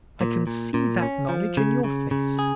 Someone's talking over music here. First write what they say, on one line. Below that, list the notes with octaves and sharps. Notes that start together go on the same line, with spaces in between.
I can see that knowledge in your face.
A#2
A#2
A#2
C#4
F3
C#3
C#3
C#3
G#4